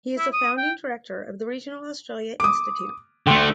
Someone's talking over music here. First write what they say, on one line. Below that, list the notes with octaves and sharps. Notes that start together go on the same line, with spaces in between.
He is a Founding Director of the Regional Australia Institute.
E4
D#6
G5
D6 D#6
D3 A3 G5 C6